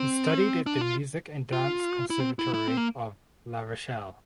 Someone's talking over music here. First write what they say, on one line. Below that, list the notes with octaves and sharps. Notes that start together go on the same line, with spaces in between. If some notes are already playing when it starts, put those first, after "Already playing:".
He studied at the Music and Dance Conservatory of La Rochelle.
Already playing: C4
D4
F4
F4
E4
C4
E4
E4
C4
A#3